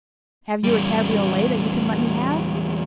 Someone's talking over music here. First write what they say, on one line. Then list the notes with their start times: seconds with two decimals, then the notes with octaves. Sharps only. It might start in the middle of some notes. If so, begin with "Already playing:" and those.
"Have you a cabriolet that you can let me have?"
0.64 E2 G3